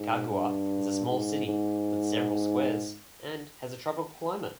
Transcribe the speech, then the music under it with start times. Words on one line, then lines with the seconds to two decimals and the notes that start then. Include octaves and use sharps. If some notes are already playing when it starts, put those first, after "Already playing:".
Cagua is a small city with several squares and has a tropical climate.
Already playing: G#2
0.28 G2
1.07 G#2
1.46 G#2